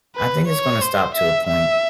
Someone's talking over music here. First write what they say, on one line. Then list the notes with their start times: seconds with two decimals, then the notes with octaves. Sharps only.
I think it's gonna stop to a point
0.16 B4
0.48 C#5
0.81 C5
1.15 E5
1.47 E5